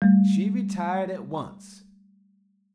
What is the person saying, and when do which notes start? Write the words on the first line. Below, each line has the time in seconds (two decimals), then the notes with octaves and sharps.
She retired at once.
0.02 G3 A3